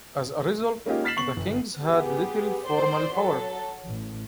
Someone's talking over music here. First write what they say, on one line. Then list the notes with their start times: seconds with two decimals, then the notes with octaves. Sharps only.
As a result, the kings had little formal power.
0.86 G#3 A#3 C#4 D#4 F4 G4
1.04 F6 A6 B6 C7 E7 F#7
1.16 B3 C#6 F#7
1.36 G1
1.79 B3 G4 G#4
2.67 C5 D5 C6
3.15 F#3 A4
3.85 A1